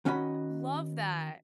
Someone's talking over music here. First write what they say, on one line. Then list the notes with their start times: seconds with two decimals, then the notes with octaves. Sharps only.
Love that.
0.05 D#3 C#4 F#4 D#5 B5